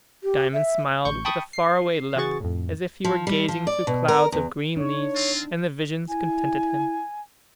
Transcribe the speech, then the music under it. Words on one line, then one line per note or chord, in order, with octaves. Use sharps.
Diamond smiled with a far-away look, as if he were gazing through clouds of green leaves and the vision contented him.
G4
E5
A1 C#6 G6
G5 A5 B5 C#6 D#6
C7
C#3 E3 F#4 G#4 C#6 A6
F2 A2
F3
G3
F3
D5
B2
A#4
E2
D4 D#4 C#5
C4 F4
E4 G#5